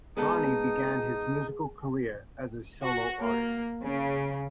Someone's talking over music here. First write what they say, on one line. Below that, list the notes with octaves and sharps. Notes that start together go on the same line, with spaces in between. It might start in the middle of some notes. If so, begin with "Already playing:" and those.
Ronnie began his musical career as a solo artist.
G#3 B3 D#4 G#4 A4 D#6
F#4
A#3
C#3